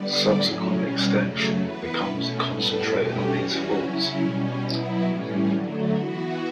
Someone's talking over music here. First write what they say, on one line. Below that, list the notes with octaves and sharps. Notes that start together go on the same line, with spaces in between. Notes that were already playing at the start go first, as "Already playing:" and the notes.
Subsequent extension becomes concentrated on these faults.
Already playing: D3 G3 B3 D5
A2 F#3 C#4
B2 G3 C#4
C#3 F#3 A3
E3 B3 B4
B2 A3 C#4
A2 G3 B3 A4
B2 A3 C#4 G4
E3 G3 C#4 F#4
C#3 F#3 C#4 E4
B2 G3 C#4
B2 F#3 B3 E4
A2 E3 G3 C#4
D3 F#3 A3
E3 B3 F#4